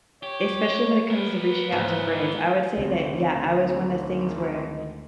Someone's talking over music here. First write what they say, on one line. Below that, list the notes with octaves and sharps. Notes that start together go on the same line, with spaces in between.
especially when it comes to reaching out to friends, I would say that, yeah, I was one of things where
G4 C#5
B3 A#4 B4
G#2 C#3 E3
G#1 D2 D3 C4